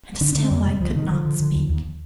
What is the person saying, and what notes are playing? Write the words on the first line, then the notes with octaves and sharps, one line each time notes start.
And still I could not speak.
D3 D4
D3 D4
C4
F2 A#3
C3 G#3
D2 F3
C3 D#3
D3 F3
D3
D3
D#2
D#2